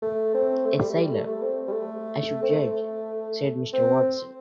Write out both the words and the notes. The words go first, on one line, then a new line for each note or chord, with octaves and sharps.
"A sailor, I should judge," said Mr. Watson.
A3
C4
A3
G3
A3
G3
A3
A3
C4
G3
A3
C4
A3
C4